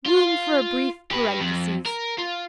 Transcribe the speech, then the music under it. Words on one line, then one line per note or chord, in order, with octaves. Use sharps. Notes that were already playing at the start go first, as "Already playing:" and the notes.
Room for a brief parenthesis.
F4
G4 B4
F2
A#4
F4